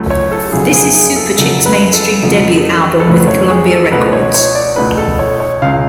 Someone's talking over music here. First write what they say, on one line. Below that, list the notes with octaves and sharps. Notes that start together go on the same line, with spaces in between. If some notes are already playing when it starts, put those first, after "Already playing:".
This is Superchick's mainstream debut album with Columbia Records.
Already playing: C#2 C#3 F#3 A3
C#5
A4
F#1 F2 C#3 F#3 G#4
G#4
G#4
A4
F#1 F2 C#3 F#3 A4
B4
A4
F2 C#3 F#3 A3
A4
F2 C#3 F#3 A3 B4
C#5
G#4
A4
C#2 B2 A3 B4
C#5
C#5
D5
C#2 B2 A3 B4
A4
C#5
C#5
C#2 C#3 G#3 F5
F5